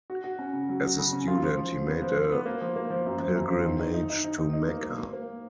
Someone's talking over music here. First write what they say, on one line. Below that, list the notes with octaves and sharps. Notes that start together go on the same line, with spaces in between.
As a student, he made a pilgrimage to Mecca.
F#4
F#4
C#4
C#3
F#3
F#4
C#3
C#4
F4
F3
F3
F3
B3
F3
F3
B3
A#3
F3
A#3
F3
F#2
F3
F#2
F3
D#3
D#3
D#4
D#4
D#4
D#3
D#4
A#3
A#3
A#3
A#3